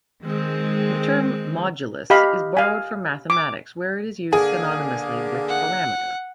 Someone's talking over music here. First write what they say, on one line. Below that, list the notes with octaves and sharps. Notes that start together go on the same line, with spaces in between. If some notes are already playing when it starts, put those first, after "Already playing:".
The term "modulus" is borrowed from mathematics, where it is used synonymously with "parameter".
D#3 G#3 C4
G4 D#5 F5 B5
F5 G#5
D6
D3 A#3 G#4
F#5